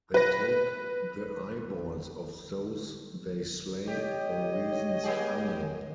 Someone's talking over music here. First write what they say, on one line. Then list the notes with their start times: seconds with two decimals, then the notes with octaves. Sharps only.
They take the eyeballs of those they slay for reasons unknown.
0.14 B4 A#6
3.88 G4 C#5 D#5
5.03 A#3 G4 G#4